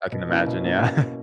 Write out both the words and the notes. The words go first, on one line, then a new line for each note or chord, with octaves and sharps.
I can imagine, yeah.
B2
A#3 C#4 E4
B2
A#3 C#4 E4